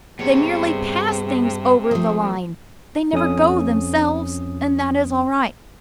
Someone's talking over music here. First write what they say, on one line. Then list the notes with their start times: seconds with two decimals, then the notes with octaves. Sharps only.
They merely pass things over the line--they never go themselves. And that is all right.
0.19 G2 C3 B3 G#4 C#5
1.91 F3 A3 D#6
3.13 F2 C#4 D#6